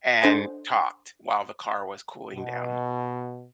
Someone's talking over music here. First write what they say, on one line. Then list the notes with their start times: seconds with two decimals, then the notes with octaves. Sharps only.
and talked while the car was cooling down.
0.21 D4 A4 C5 D#5 F#5 G#5
2.34 B2